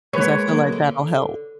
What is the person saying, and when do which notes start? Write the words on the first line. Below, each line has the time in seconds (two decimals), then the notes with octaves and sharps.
'Cause I feel like that'll help.
0.13 G#3 A#3 G#4 B4 C#5
0.47 F#3 G#3 A#3
0.72 D3